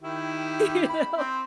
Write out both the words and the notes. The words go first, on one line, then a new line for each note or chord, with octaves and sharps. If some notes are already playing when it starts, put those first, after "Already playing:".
you know,
D#3 E4 G4
B5
C4 C5